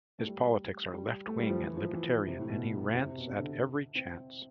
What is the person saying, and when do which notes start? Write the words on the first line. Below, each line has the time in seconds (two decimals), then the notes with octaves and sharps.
His politics are left-wing and libertarian, and he rants at every chance.
0.19 A3
0.26 G3
0.94 G3
1.27 A3
1.39 G3
1.50 F3
1.60 E3
1.77 F3
1.94 E3
2.27 C3
2.39 A2
2.49 B2
2.94 C3
3.06 C3
3.17 B2
3.29 C3
3.39 D3
3.95 C4